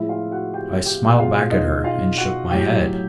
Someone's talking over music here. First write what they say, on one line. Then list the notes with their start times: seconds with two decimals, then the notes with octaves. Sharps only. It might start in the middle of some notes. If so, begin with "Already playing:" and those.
I smiled back at her, and shook my head.
Already playing: A2 F3 G#3 E4 E5
0.09 F4 F5
0.31 F#4 F#5
0.54 G4 G5
0.86 G4 G5
1.14 F#5
1.19 B2 G#3 F4 F5
1.51 D#4 D#5
1.84 F4 F5
2.17 F#4 F#5
2.51 A2 F#3 G4 G5